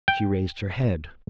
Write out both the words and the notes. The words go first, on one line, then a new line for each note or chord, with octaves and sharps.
She raised her head.
G5